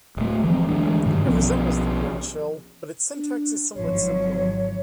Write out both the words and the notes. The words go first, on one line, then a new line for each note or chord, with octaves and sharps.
It resembles the Bourne shell, but its syntax is somewhat simpler.
D1 A3
E3 F3 C4
D2 E3 G#3 D4
G2 C3 D#3
B1 F3 B3 C#4
D4
G#1 F3 F#3 C#5